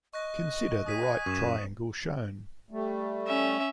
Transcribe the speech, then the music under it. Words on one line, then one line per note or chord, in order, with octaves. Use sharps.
Consider the right triangle shown.
D#5 C#6 F#6 A#6
G#5 D#6 B6 D#7
F#2 C#6 E7
G3 A3
C#4 E5